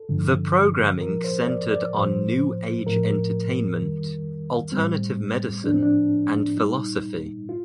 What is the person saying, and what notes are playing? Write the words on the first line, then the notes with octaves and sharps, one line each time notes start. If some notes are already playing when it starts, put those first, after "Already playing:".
The programming centered on new-age entertainment, alternative medicine, and philosophy.
Already playing: A4
G2 D3 F3
A#2 F3 A#4
C5
D5
D5
A2 F3 C5
A2 F3 A#4
F2 D#3 G3
A2 G3 C4
A2 F3 D4
C4
D4
A#2 G3 D#4
F4